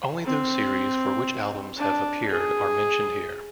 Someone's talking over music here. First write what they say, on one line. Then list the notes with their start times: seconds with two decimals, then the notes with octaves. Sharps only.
Only those series for which albums have appeared are mentioned here.
0.25 C4
1.78 D4
2.29 G#4